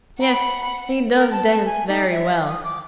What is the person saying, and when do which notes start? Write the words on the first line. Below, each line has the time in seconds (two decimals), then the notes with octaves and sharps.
"Yes, he does dance very well."
0.21 F#5 B5
1.14 A#4
1.31 A5
1.65 G#5
1.88 D#4
2.11 E5
2.48 D#6
2.64 D6